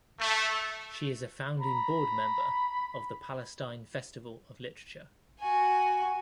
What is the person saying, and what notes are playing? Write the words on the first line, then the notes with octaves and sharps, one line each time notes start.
She is a founding board member of the Palestine Festival of Literature.
A3
A#5 B5
F#4 G#5